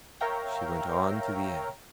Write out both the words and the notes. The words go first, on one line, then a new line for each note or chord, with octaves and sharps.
She went on to the end.
A#4 C#5 E5 F5 G5 A#5